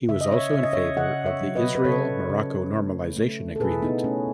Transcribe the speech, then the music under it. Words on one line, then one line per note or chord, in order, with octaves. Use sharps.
He was also in favor of the Israel–Morocco normalization agreement.
C#3 E5
D#5
C#5 E5
C#3 E5
D#5
C#5 E5
C#3 D#5 F#5
C#5 E5
F#3
B4 D#5
B4
C#3 A4 C#5
C#3
A3
A3
A4
B2 G#4 B4
E4
B3 D#4
A3 C#4